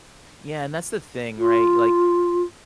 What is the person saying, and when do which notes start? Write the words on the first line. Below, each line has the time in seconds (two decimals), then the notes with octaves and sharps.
Yeah, and that's the thing, right? Like,
1.38 F4